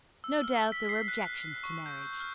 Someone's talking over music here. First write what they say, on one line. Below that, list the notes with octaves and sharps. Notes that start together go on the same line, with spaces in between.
No doubt there were objections to marriage.
E6
F6
B6
C7
F#6
F#6
C#6
G6
F6